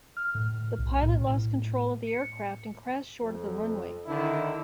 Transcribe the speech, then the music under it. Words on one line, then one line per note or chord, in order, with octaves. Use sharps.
The pilot lost control of the aircraft and crashed short of the runway.
F6
A2
B1
A2
C#7
F2
D3 D#3 E4